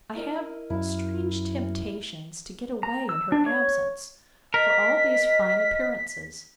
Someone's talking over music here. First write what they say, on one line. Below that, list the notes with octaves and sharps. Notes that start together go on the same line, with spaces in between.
I have strange temptations to get away in her absence, for all these fine appearances.
E4 A#4 D#5
F#2 E4 F5
A#5
E6
D4
C#5
A#4 D#5 B6